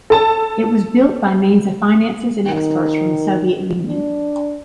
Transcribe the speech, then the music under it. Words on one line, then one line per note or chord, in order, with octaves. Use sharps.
It was built by means of finances and experts from the Soviet Union.
A4 A5
D#3
D4